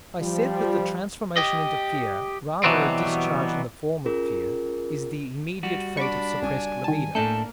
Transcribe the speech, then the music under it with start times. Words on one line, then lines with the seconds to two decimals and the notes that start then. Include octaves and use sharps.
I said that the transformation into fear, rather a discharge in the form of fear, is the immediate fate of suppressed libido.
0.21 F3 G3
1.37 G4 D#5
2.64 B2 E3 F#3 G3 B3 C4
4.06 C#4 F4 G#4 A#4
5.63 G3 F#4
5.97 D4 B5 C#6 D6
6.42 C#2 G#5
6.84 D#3 A5
7.15 A2 A3 A#3 D4 A4 G6